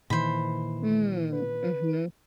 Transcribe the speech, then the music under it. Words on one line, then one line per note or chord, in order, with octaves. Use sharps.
Mm, mhm.
A#2 D#3 E3 C5 B5
B4